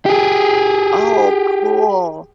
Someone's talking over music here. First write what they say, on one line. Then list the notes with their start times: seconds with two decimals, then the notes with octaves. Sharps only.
Oh, cool!
0.06 G4 G#4